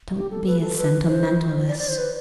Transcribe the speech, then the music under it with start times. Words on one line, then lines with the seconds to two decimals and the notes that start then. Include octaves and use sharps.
Don't be a sentimentalist.
0.16 G4
0.31 A4
0.47 B4
0.61 A4
0.78 B4
1.07 C5
1.69 D5
1.79 D5
1.88 C5
1.98 B4